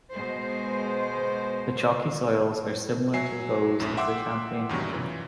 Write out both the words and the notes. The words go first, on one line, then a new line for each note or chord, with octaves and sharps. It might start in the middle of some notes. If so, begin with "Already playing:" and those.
The chalky soils are similar to those of the Champagne region.
B2 G#3 C5
F#3 E5 G#5 C7
A#1 F#2 A2
E5 F#5 G5 C6 D6 E6
E2 G2 D#3 F#3
F#2 A#2 E3